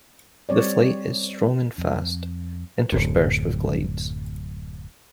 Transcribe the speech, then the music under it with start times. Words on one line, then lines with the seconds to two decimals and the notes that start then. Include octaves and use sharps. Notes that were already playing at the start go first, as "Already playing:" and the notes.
The flight is strong and fast, interspersed with glides.
0.49 G3 C4 C#5 D5
1.78 F2
2.92 D1 F#2